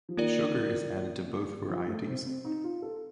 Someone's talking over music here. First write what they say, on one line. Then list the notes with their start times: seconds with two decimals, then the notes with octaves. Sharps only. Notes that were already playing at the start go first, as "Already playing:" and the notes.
Sugar is added to both varieties.
0.09 F3
0.17 D#3 A#3 F4 A#4 D5
1.70 F3
1.88 A3
2.07 C4
2.27 C4
2.45 D#4
2.64 F4
2.82 A4